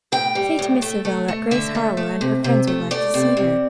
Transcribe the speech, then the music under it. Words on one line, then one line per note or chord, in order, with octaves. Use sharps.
"Say to Miss Savell that Grace Harlowe and her friends would like to see her."
A2 G5
G3
A2
A3
A3
A3
D3 E5
A3
A3
C3
C3
A3
A3 D5
C3
C3